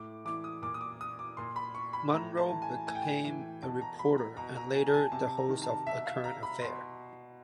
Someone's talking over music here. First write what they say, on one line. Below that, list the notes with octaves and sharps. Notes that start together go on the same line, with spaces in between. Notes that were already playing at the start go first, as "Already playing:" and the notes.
Munro became a reporter and later the host of "A Current Affair".
Already playing: A2 D6
E3 D6
D#6
A#2 D6
D#6
D6
D#6
D6
A#2 C6
B5
C#6
B5
A2 A#5
A5
E3
G#5
A2 G#5
G5
G#5
E3
B2 A5
A#5
B5
A#5
B2 A#5
A#5
G#5
A5
G#5
C3 A5
A#5
D#3
A5
B2 E5
F5
A#5
B5
B2 C6